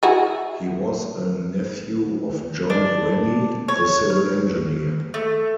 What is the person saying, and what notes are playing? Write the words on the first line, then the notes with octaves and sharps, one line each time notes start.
He was a nephew of John Rennie, the civil engineer.
E4 F#4 G#4
D4
C#5
F6
A3